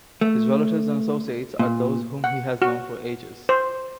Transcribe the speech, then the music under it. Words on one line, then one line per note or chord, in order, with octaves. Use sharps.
His relatives and associates are those whom he has known for ages.
A3
A#2
F#5
F#4
C5